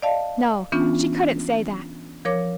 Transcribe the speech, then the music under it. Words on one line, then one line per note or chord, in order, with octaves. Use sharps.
No, she couldn't say that.
D5 D#5 F5 A5
E3 B3 C#4 D4 F4
F3 A#4 C#5 D6